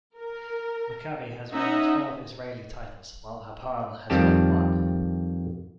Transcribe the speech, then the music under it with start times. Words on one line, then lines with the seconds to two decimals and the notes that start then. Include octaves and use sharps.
Maccabi has won twelve Israeli titles, while Hapoel has won one.
0.16 A#4
1.52 C#4 D#4 D#5 E5 F#5
4.10 F2 D#3 G3 C4 G4 A5